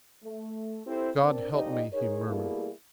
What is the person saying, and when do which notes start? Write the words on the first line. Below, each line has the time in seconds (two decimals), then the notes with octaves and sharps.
"God help me!" he murmured.
0.24 A3
0.86 C4 E4 G4 A4 C5
1.22 C4 D4 A#4
1.53 D2 A#2 F3 D#4 G4 D#5
1.92 D#4 G#4 A#4 C#5
2.27 B2 G3 A3 A#3 E4 G#4